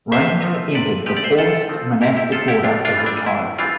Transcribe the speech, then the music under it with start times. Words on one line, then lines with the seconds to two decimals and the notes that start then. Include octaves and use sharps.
Ranger entered the Paulist monastic order as a child.
0.12 C3 C5 E5
0.43 F3 A3 C4
0.75 C3 B4 D5
1.06 F3 A3 C4 G4 B4
1.17 D5
1.24 C5
1.31 B4
1.37 C3 F4 A4
1.69 F3 A3 C4
2.01 C3 E4 G4
2.17 E4 G4
2.32 F3 A3 C4 F4 A4
2.48 E4 G4
2.63 A2 D4 F4
2.85 D4 F4
2.96 E3 G3 C4
3.06 D4
3.26 A2 E4
3.59 E3 G3 C4 D4 F4